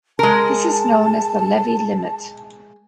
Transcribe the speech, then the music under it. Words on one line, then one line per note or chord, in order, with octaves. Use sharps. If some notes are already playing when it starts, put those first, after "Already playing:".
This is known as the levy limit.
G#3 A#4 A5